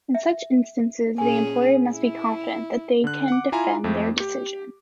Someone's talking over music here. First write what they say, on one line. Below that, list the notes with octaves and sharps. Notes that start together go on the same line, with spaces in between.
In such instances, the employer must be confident that they can defend their decision.
E5
A#2 C#4 G#4 G#5
E4
D3 F#6
F#5 D6
E4 F4 G#5 A#5
F2 A3
G4